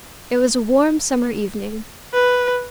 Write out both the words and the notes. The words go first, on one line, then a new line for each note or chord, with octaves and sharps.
It was a warm, summer evening.
B4